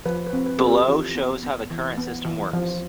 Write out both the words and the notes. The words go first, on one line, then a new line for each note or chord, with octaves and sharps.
Below shows how the current system works.
F3 B4
B4
C4
B4
C4 A4
G4
E3 F4
B3
B3
E3
B3
E3
F3